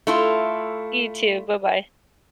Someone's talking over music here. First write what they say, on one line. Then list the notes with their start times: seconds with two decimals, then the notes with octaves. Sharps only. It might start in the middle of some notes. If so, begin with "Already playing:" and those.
You too, bye-bye.
0.07 A3 E4 F4